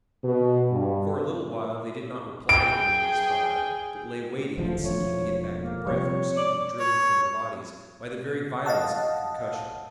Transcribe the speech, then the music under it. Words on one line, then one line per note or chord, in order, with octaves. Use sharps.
For a little while they did not reply to the enemy's fire, but lay waiting and seeking to get back the breath which seemed to be driven from their bodies by the very violence of the concussion.
B2
G2
G#4 G5 D7
D#1 D2 F3
E1 F3 A3 C#5
A#3
C3 F3 G3 C#5
D5
C#5
D#5 F5 F#5 A5